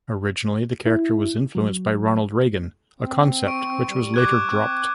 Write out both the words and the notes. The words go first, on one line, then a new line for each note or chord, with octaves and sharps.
Originally, the character was influenced by Ronald Reagan, a concept which was later dropped.
E4
F#3
C4
C#6 D7
G3
D6 F#6 G#6
C4